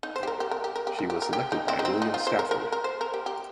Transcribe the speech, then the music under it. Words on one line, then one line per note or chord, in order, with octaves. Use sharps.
She was selected by William Stafford.
D#4
C5
G4
A#4
G4
A#4
G4
A#4
G4
A#4
G4
A#4
G4
D#4
C4
D#4
C4
D#4
F4
C5
A#4
A#4
A#4
C5
A#4
G4
G4